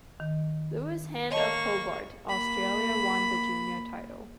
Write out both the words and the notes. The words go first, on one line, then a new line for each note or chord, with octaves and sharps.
Lewis Hand of Hobart, Australia won the junior title.
D#3
A#3 C#5 D#5 A5 C#6
A#3 B5